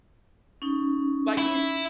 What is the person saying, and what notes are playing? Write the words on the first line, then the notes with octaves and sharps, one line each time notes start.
Like, he
C#4 D#4
E4